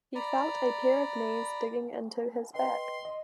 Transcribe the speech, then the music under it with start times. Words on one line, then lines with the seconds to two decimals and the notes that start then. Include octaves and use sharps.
He felt a pair of knees digging into his back.
0.15 D5 A#5 B5
2.54 B4 D#5 G5 C6
3.05 D#5